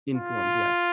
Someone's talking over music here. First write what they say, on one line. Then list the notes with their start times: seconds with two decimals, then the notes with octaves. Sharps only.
Informed, yes.
0.15 F4